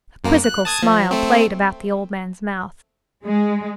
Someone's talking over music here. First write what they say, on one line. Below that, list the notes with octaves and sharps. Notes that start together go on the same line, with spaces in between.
A quizzical smile played about the old man's mouth.
F#2 A#3
F#6
A5 D#6 G#6
F3
A3 C4
G#3